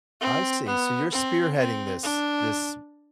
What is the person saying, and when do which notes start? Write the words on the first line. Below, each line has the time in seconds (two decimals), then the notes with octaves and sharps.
I see. So, you're spearheading this this
0.21 C4
0.67 B3
1.12 C4
1.58 C4
2.03 D4